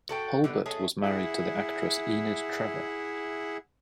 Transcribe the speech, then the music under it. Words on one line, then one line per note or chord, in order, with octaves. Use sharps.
Hulbert was married to the actress Enid Trevor.
F#4 A4 G5
D3 G3 B3
G#3 A3 C#4 G#4
E4 G#4 E5 F#5